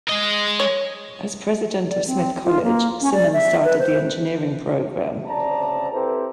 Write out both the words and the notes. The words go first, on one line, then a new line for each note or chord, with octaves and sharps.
As president of Smith College, Simmons started the engineering program.
G#3 D#5
C#5
D5
C4
F4
A#3
C#4
D5
E5
B4
C5
D2 C#3 C4 D5 A5 A#5
C4 E4 G4 A4 B4 C5